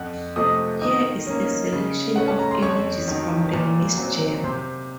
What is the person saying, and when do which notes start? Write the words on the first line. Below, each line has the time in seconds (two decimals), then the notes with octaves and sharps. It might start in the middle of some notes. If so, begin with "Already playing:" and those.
Here is a selection of images from the Ms. Germ.
Already playing: F2 F#5 F#6
0.36 C3 F3 A3 C4 D#5 D#6
0.81 D#3 D#5 D#6
1.27 A#3 C#4
1.72 C#3
2.16 A3 C#4 F#5
2.28 A5
2.39 A#5
2.51 C6
2.62 F2 C#5 C#6
3.08 D#3 F#3
3.53 A#2
3.98 F#3 C4
4.44 C3 C5 C6